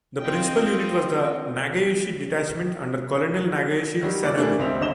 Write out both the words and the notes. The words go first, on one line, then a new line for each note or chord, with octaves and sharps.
The principal unit was the Nagayoshi Detachment under Colonel Nagayoshi Sanonebu.
C4 F4 D#5 G5
D#3 F#3 G3
A#3 D5
E3 G3 A3 A#3 D4
C#2 C4 E5 F7
G1 D3 D#5 E7 G7